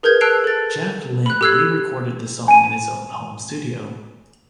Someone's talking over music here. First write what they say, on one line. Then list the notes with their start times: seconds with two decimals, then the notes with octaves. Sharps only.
Jeff Lynne re-recorded the song in his own home studio.
0.03 G#4 A#4 B4 G6 G#6
0.21 A5 E6 F#6 C7 D7 F7
0.44 A4 A6
1.26 B5 F#6
1.41 G4 A4 E6 F#6 G#6 C7
2.48 G#5 D#7